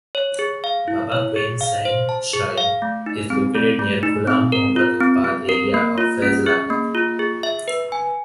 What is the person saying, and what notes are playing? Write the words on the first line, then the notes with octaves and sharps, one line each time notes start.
Baba Qaim Sain Shrine is located near Ghulam Muhammad Abad area of Faisalabad.
C#5
G#4
F5
E4
C#5
G#4
F5
C5
A5
G#4
F5
A3
D#4
C4
A3
A3
D#4
C4
A#4
F4
C4
C4
A#4
A#3
F4
C#4
G#4
A#3
F4
G#4
E5
B4
G#5